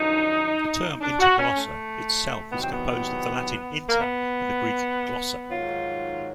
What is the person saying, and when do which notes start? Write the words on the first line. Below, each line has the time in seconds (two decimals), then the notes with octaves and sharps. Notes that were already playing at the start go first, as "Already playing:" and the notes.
The term "Inter-glossa" itself is composed of the Latin "inter" and the Greek "glossa".
Already playing: F#2 D3 F3 D#4
1.01 D4
1.19 F#4
1.39 C#4
1.57 A3
2.50 E2 C3 D#3 F#3 B3
2.61 C4
2.71 B3
3.89 A#3
4.00 B3
5.50 G#2 D#3 F#3 F4